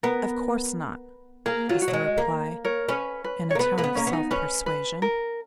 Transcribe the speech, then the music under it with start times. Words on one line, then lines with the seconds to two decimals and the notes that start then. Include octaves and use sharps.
'Of course not,' was the reply, in a tone of self-persuasion.
0.03 B3 A#4
1.46 A#3 G#4
1.69 F#3 F4
1.82 F#4
1.88 F#3
1.93 G#3
2.18 A#3
2.65 A#4 C#5
2.88 C#4 B4
3.24 B4
3.51 C#5
3.55 A#3
3.59 B3 B4
3.78 A#3 B4
3.84 B3
3.95 A#3 C#4
4.07 B3
4.13 D#4
4.31 C#4 B4
4.66 B4
5.02 A#4